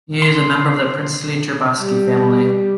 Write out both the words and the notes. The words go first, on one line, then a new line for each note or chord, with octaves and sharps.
He is a member of the princely Trubetskoy family.
C6
G3